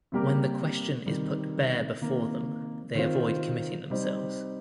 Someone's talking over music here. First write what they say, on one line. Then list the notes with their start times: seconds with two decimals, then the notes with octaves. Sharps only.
When the question is put bare before them they avoid committing themselves.
0.12 C3 G3 A#3 G4 A#4
1.06 C3 D#3 G3
2.01 C3 D#3 A#3
2.95 D#3 C4 F4
3.90 C3 G3 C4 D#4